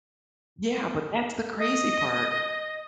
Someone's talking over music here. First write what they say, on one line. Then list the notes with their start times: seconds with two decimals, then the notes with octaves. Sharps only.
Yeah, but that's the crazy part,
1.59 D#5